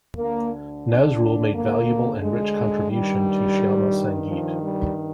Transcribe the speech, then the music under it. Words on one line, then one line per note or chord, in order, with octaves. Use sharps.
Nazrul made valuable and rich contribution to Shyama Sangeet.
D2 D3 A#3
D4
A#3
G#3
G2 D#3 G3
F3
G3